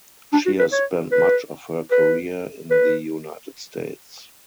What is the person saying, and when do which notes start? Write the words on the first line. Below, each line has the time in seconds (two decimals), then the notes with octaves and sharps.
She has spent much of her career in the United States.
0.33 D4
0.46 F#4
0.59 B4
0.72 C#5
1.12 B4
1.92 B4
2.71 B4